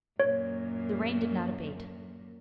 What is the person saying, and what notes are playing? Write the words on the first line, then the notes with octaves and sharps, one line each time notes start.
The rain did not abate.
F#2 A#2 C#5